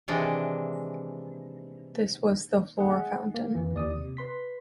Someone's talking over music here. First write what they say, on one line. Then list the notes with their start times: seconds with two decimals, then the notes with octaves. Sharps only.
This was the Flora Fountain.
0.08 C3 D#3 E3 G#3 D4
2.77 G#3 G#4 F#5
3.34 A#3
3.55 F2 D#3 E3
3.74 D#2 D5 D#6
3.97 C3
4.17 B4 C6 B6